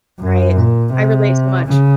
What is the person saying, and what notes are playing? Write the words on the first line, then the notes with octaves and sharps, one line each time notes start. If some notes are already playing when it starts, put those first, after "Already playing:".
Right. I relate so much.
F#2
A#2
C3
C#3